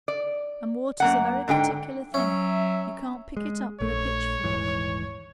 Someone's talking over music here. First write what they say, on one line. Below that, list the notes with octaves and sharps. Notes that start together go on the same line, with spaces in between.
And water's a very particular thing; you can't pick it up with a pitchfork.
D5
F#2 A#3 F#5
G#2 D3 G4 G5
F#3 C#4 E5
G#3
A#1 A3 C#5
D#1 G#2 E3